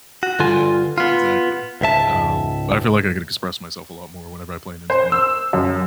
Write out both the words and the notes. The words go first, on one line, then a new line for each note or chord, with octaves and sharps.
yeah, exactly, um, I feel, like, I could express myself a lot more whenever I play an instrument.
F#4
G2 D3 F4 G#5
B3 F4
C#2 G#2 E5 A5
C5
E6
F#2